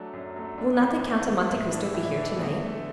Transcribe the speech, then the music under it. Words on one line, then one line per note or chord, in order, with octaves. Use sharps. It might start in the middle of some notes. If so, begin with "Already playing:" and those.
"Will not the Count of Monte Cristo be here to-night?"
Already playing: F#3 A3 D4
F#2
F#3 A3
F#2 D4
E3 A3
F#2
E3 A3
A2 E4
E3 A3 D4
A2 E4
E4
E3 A3 D4
E4
D4
E2 E4
D3 A3